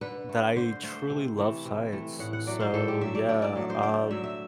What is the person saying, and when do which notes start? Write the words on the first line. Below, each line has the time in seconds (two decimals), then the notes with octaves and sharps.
that I truly love science, so, yeah, um
0.01 D3 B4
0.29 A3
0.56 D3 C5
0.83 A3 C5
1.10 C3
1.38 E3 A3
1.65 C3
1.92 E3 A3
2.19 A2 F#5
2.33 F#5
2.47 F#3 A3 D5
2.60 C5
2.74 A2 A4
2.88 G4
3.01 F#3 A3 E5
3.15 D5
3.29 D3 D5
3.42 D5
3.55 F#3 A3
3.70 C5
3.83 D3 D5
4.10 F#3 A3 E5
4.24 E5